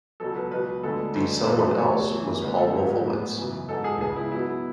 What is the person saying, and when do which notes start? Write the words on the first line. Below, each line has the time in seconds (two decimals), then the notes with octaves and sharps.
The someone else was Paul Wolfowitz.
0.20 C#2 B2 F#3 A4
0.36 B4
0.51 C#2 B2 F#3 B4
0.83 D2 D3 G#3 A4
1.15 D2 D3 G#3 B3
1.47 F#2 E3 A3 B4
1.78 C#2 B2 A3 C#5
2.10 F#2 E3 B3
2.42 D2 D3 G#3 B3 B4
2.58 A4
2.73 G#2 F#3 B3
2.89 B4
3.05 A2 G#3 B3
3.37 F#2 C#3 E3 B3
3.69 G#2 G#3 B3 A4
3.84 G#4
4.00 C#2 C#3 G#3 B3 G#4
4.16 E4
4.32 B2 F#3 B3 E4